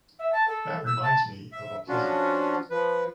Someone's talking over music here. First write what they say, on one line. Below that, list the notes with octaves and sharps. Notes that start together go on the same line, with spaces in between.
That reminds me of a puzzle.
E5
A5
A4
E6
A5
E5
F3 C#4 D4 F4 F#4
F3 B4